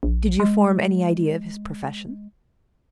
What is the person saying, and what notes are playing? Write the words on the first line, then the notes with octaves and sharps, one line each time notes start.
"Did you form any idea of his profession?"
A#1
G#3